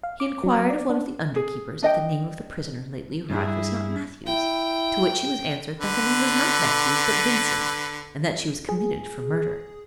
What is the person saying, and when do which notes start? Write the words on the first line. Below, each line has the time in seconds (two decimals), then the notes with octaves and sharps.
He enquired of one of the underkeepers if the name of the prisoner lately arrived was not Matthews; to which he was answered that her name was not Matthews but Vincent, and that she was committed for murder.
0.03 F5
0.20 D6
0.43 F#3
0.70 D5
0.90 D4
1.36 G#4
1.82 D4 D#5 G5
3.30 G2 E4 G#4
4.27 E4 G5
5.80 D3 B4
8.69 G#4